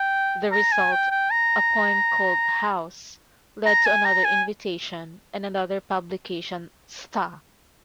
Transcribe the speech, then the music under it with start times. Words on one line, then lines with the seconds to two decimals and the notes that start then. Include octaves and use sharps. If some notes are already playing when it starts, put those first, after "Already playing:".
The result, a poem called "house", led to another invitation and another publication "Sta!".
Already playing: G5
0.52 A#5
0.72 G#5
0.92 G5
1.11 G5
1.31 A#5
3.66 A#5
3.86 G#5
4.05 A#5
4.25 G#5